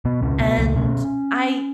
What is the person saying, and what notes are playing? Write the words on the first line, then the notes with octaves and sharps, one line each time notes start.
and I
B2 B3
C#2 C#4
B2 B3
C#2 A#3
B2 C#4